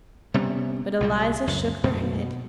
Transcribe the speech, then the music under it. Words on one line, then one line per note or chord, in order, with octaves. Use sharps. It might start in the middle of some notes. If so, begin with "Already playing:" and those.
But Eliza shook her head.
C3 G3 B3 C#4
C2 A#2 G3
C#2 F#2
B1 F#2 B2 A3
B2